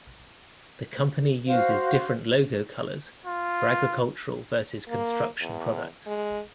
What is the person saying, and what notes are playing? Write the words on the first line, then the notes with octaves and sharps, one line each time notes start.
The company uses different logo colors for agricultural versus construction products.
F#4 C5 F5
F4
A#3
E2
G#3